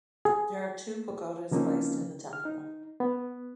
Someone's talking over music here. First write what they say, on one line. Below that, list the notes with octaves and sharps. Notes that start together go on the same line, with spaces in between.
There are two pagodas placed in the temple.
G#4
C#3 F3 A#3 C4 C#4 D#4
F6
D#4
B3